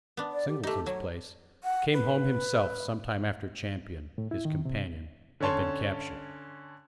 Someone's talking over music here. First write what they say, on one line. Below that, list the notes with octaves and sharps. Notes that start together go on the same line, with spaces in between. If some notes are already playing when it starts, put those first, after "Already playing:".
Singleton's place, came home himself sometime after Champion, his companion, had been captured.
B3 D4
D5
G4
A3 D#4 G4
F#3 C#5
F#5
B4
A2
E4
D#3
C3
D3 C#4 C#5 A5 C6